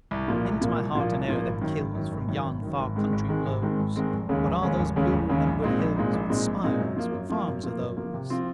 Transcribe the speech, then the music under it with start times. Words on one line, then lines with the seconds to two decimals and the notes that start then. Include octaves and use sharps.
Into my heart an air that kills From yon far country blows: What are those blue remembered hills, What spires, what farms are those?
0.11 C2
0.28 A#2 F3 A#3
0.45 C2
0.61 A#2 F3 A#3
0.78 C2
0.95 A#2 F3 A#3
1.12 C2
1.28 A#2 F3 A#3
1.46 G#1
1.61 F#2 D#3
1.78 G#1
1.95 F#2 D#3
2.12 G#1
2.28 F#2 D#3
2.45 G#1
2.62 F#2 D#3
2.79 G#1
2.96 G#2 D#3 G#3 C4
3.12 G#1
3.29 G#2 D#3 G#3 C4
3.46 G#1
3.62 G#2 D#3 G#3 C4
3.79 G#1
3.96 G#2 D#3 G#3 C4
4.13 F1
4.29 D#2 C#3 G#3 C#4
4.46 F1
4.62 D#2 C#3 G#3 C#4
4.79 F1
4.96 D#2 C#3 G#3 C#4
5.13 F1
5.29 D#2 C#3 G#3 C#4
5.46 A#1
5.62 A#2 G#3 C4 D#4
5.79 A#1
5.96 A#2 G#3 C4 D#4
6.13 A#1
6.30 A#2 G#3 C4 D#4
6.46 A#1
6.63 A#2 G#3 C4 D#4
6.80 F#2
6.97 F3 A#3
7.13 F#2
7.30 F3 A#3
7.47 F#2
7.63 F3 A#3
7.80 F#2
7.97 F3 A#3
8.14 C3
8.30 F3 C4 F4